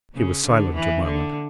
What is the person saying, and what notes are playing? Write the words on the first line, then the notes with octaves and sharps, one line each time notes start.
He was silent a moment.
C#3
D3
E3
D3